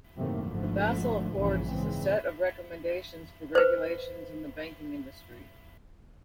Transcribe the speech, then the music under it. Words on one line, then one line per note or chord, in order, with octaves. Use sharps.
The Basel Accords is a set of recommendations for regulations in the banking industry.
F#2 A2 C3 D#3 A3 A#3
G#1 G#2 D3 F3 A3
A#1 D#2 G#2 C#3 E3 F3
G#2 C#3 E3 G#3 C4
B4 C5